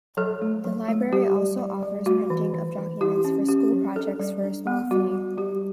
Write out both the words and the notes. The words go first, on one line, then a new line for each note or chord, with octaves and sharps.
The library also offers printing of documents for school projects for a small fee.
F#3 A4
A3
F#3
A3
G3 G4
G3
G3
G3
A3 F#4
E3
E3
E3
E4 G4
C#4
C#4 G4
F#3
D4 A4
G3
D4
B3
G3 F#4
G3
G3 G4